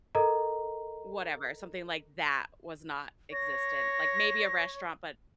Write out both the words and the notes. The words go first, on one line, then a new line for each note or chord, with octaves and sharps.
whatever, something like that was not existent. Like maybe a restaurant, but
A4 A#4 D#5 A#5
C#5 A#6